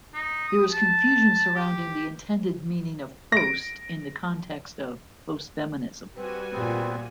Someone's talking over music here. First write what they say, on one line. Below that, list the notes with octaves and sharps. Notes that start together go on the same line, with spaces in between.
There is confusion surrounding the intended meaning of "post" in the context of "postfeminism".
D#4
D#6
A5
G4
A#6 D7
G3 C4 F#4 B4 G#5
A#2 B3 C4